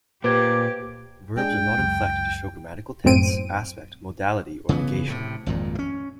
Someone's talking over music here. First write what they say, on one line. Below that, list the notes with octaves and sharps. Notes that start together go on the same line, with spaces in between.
Verbs are not inflected to show grammatical tense, aspect, modality, or negation.
A#2 G4 B4 C5 D6 G#6
G#3 D4 G#4 G5
C#2 F#2
G1 F#2 A2 C4 D7 D#7
C#3 E3 A#3 B3
A2 C3
G#1 F2 A#2
A3 C#4